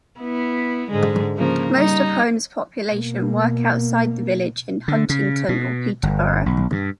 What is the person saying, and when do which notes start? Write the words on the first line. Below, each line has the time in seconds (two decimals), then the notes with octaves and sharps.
Most of Holme's population work outside the village in Huntingdon or Peterborough.
0.20 B3 E4
0.91 G#2 D3 G#3
1.37 C#3 F3 A#3
1.72 G3 D#4
2.91 B2 A#3
4.88 D3
5.10 C#3
5.49 B2
6.03 G1
6.46 B1
6.72 G2